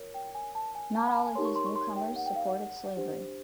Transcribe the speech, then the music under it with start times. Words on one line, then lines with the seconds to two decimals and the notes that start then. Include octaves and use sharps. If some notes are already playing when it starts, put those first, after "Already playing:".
Not all of these newcomers supported slavery.
Already playing: F4 A#4 C#5
0.14 G5
0.35 G#5
0.55 A5
0.75 G#5
0.96 A5
1.06 B5
1.16 A5
1.26 G#5
1.35 D#4 G4 A#4 C#5 C6
1.45 C#6
1.56 C6
1.66 C#6
1.76 C6
1.96 G5
2.16 F#5
2.26 G5
2.36 F5
2.47 F#5
2.97 D4 G4 C5